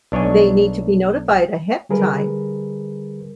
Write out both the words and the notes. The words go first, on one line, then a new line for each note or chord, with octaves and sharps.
They need to be notified ahead of time.
B1 D4 C#5 D#5 G#5
D3 G3 G#4 A#4 B4